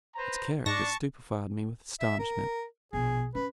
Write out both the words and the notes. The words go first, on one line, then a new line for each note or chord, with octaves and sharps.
Its character stupefied me with astonishment.
B4 C5 A#5
G#2 D4 A5 C#6 A#6
E5
A#4
A#1 B2 G#4
C#4 B4